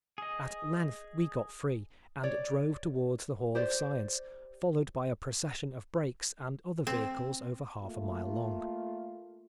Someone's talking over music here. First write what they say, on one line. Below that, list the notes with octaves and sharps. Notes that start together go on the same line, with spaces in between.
At length we got free, and drove towards the Hall of Science, followed by a procession of brakes and other vehicles over half a mile long.
G#4 D#5
C#5 D5
G4 C5 D5
C4
A3 A#3 F4